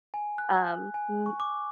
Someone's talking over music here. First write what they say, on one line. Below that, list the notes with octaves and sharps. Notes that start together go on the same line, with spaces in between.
um, m
G#5
F#6
G#5
C#6
D6